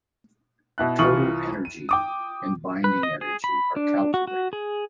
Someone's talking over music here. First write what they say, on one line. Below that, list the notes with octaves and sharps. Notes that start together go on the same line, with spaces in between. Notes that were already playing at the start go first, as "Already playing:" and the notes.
Total energy and binding energy are calculated.
B2 E4 F#6
C2 E3 F4 C#6 D#6 F#7
D#7
G5 D6 D#6
B4
D#5
G#4
B5
D4
F#4
F#4
G#4